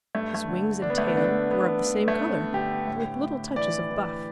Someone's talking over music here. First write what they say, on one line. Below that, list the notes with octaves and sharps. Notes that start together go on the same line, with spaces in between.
His wings and tail were of the same color, with little touches of buff.
G2 A3
A3
D3
D3 D4
B3
A3
B3
D3 D4
D3 B3
G2
A3
G2 B3
D3 G4
A2
A2
E3 D5
E3